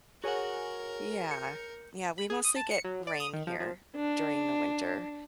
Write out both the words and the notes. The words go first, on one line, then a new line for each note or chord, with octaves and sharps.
Yeah, yeah, we mostly get rain here during the winter,
F#4 G#4 A#4 C#5 F#5 G#5
G6 C#7
B5
G#4
D#6
A5
C#7
F#3
D5
D#6
D#3
F3
F3
D4